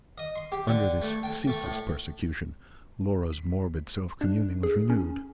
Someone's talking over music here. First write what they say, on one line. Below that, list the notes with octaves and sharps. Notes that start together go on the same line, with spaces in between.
Under this ceaseless persecution, Laura's morbid self-communing was renewed.
D#5
C6
G4
D3
A3
G5
A3
A2
B6
D4
G#4
C#4